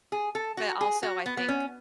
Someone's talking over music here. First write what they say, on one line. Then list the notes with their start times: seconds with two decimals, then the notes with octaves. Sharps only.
but, also, I think
0.12 G#4
0.35 A4
0.57 F#4
0.81 G#4
1.03 F#4
1.26 B3
1.37 B3
1.49 C#4